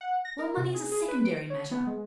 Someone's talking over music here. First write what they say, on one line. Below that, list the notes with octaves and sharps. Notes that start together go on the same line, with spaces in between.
Well, money is a secondary matter.
F#5
A#6
A#4
C3
G#4
G#4
B4
D7
C#5
B3
G#3